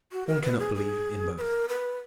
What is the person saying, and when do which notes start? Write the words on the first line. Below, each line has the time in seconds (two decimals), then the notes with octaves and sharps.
One cannot believe in both.
0.12 F#4
0.27 A#4
0.43 B4
0.59 G#4
0.75 G#4
1.38 B4
1.41 A#4
1.69 B4